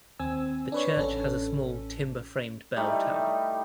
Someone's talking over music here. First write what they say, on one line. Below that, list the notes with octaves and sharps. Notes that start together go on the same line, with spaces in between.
The church has a small, timber-framed bell tower.
D#2 C4 G#5 E6
D4 B4 C#5
A1 C#4 A4
G3 A3 D#4 E4